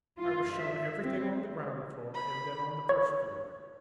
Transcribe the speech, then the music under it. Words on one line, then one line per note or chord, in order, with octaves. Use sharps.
I was shown everything on the ground floor, and then on the first floor.
F4
E5
C4
B5
C#5